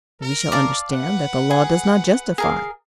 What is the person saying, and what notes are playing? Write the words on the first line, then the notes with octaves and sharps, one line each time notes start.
We shall understand that the Law does not justify.
A#4
D5 F5 A5
B4 F#5
G#4
G#4 A#4 F5